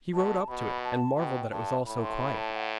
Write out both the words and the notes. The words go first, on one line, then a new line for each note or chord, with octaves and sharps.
He rode up to it, and marvelled that it was all so quiet.
B2 A5
B2 B5
A5
B2 G5
G2 A5
A2 B5
C6
B5
A5
F#5